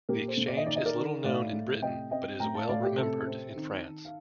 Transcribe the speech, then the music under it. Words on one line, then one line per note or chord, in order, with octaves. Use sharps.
The exchange is little known in Britain, but is well remembered in France.
A#2 G4 A#4
A4 C5
A#2
D5
D#5
D#3 D5
D#5
A#4 D5
D#3
A2 D5 F5
A2
C3 D#5 G5
C4 D#5 G5
A2 G5 A#5
F5 A5
A2 D5 F5
G4
C3 A4
C4
D#3
D#3
F5